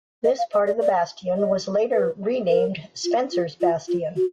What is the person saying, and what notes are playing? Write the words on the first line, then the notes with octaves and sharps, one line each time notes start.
This part of the bastion was later renamed Spencer's Bastion.
D#5
F5
D#5
D5
D5
D#5
B4
A#4
F4
F4
F4
F4
F#4